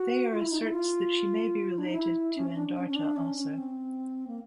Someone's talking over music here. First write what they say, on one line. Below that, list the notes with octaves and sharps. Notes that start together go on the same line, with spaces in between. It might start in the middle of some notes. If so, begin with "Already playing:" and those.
Thayer asserts that she may be related to Andarta also.
Already playing: F#4
F4
E4
D#4
E4
F4
D4
D#4
E4
C#4
C#4
D4
D4
C#4
C#4
D4
C#4
C#4
C4
A#3